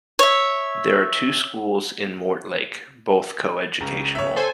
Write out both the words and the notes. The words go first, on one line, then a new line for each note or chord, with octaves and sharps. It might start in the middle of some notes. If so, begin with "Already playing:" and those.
There are two schools in Mortlake, both co-educational.
C#5 E5
C#2 C#3 A#5
C#5 E5
A4 C5 G#5